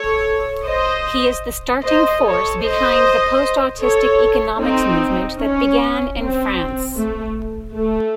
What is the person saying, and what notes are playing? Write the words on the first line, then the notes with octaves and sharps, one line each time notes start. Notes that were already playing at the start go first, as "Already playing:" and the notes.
He is the starting force behind the Post-autistic economics movement that began in France.
Already playing: A4 C#5
C5 D#5
C5 D#5
A4 C#5
C5 D#5
A4 C#5
C4 D#4
C#4
C4
A3
A3